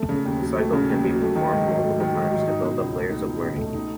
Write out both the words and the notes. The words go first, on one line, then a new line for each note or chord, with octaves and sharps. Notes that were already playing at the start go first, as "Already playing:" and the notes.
The cycle can be performed multiple times to build up layers of learning.
Already playing: A3
C#3
D#2
F#3
A3
C#3
D#2
F#3
A3
D#3
G#2
F#3
A3
D#3
G#2
F#3
D#4
B2
C#2
A3
D#4
B2
C#2
A3
D#4